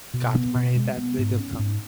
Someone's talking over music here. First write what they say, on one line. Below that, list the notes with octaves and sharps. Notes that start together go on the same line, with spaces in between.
Got married at Lyttleton.
B2
B3
B2
G#3
B3
G#2
C#4
G#2